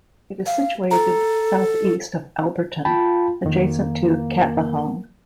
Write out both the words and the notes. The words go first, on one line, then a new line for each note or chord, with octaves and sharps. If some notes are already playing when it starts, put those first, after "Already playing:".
It is situated south east of Alberton, adjacent to Katlehong.
F5
A4 A#5
F4 G5 A5 B5
F2 D#3 A#3